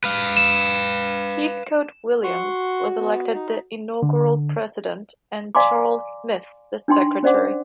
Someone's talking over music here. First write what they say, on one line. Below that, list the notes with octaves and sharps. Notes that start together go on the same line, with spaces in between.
Heathcote Williams was elected the inaugural president, and Charles Smith the secretary.
B4 F5
E7
F#4 F#5 C6 C#6
B3
D#4
D3
D5 F5 G#5 A#5 C6 D6
D4 D#4 G5 C6 C#6
C#4 C5 D5 F#5 D6